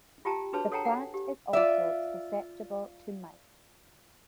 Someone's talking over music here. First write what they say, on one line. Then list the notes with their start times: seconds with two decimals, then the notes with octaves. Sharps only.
The plant is also susceptible to mites.
0.25 F4 G4 G5 A5 A#5
0.53 D4 F#4 G#4 B4 C#5 A5
0.72 A4 C#5 F#5 G5 A5 A#5
0.85 F#5 G#5
1.14 G4
1.53 F4 D5 E5